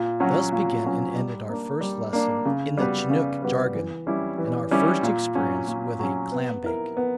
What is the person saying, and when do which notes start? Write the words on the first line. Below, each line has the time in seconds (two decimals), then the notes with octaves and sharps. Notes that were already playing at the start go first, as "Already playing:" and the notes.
Thus began and ended our first lesson in the Chinook jargon, and our first experience with a clam bake.
Already playing: A#2
0.20 F#3 C#4 F#4
0.52 A#2
0.85 F#3 C#4 F#4
1.16 G3
1.49 A#3 D4
1.81 G3
2.13 A#3 D4
2.45 C#3
2.77 G3 B3 F#4 B4
3.10 C#3
3.42 G3 B3 F#4 B4
3.75 E3
4.07 G3 C#4 E4 G4
4.38 E3
4.71 G3 C#4 E4 G4
5.03 A#2
5.35 F#3 C#4
5.68 A#2
5.99 F#3 C#4
6.32 B3
6.64 E4 A#4
6.97 B3